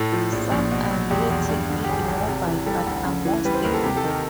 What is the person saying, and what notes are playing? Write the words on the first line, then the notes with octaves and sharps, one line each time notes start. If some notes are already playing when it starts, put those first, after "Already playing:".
Some are relatively immobile, but are more stable.
Already playing: A2 A4
F3
A#1
A#1
B2
F#3
E2 G4
E2
G2
D3
G4
G#1 G#4
G#1
C3
E3
G3 A4
D2
C#3
E3
G3 B4
C5
D#2 A#4
A4
C3 G4
A4
D#3
A#4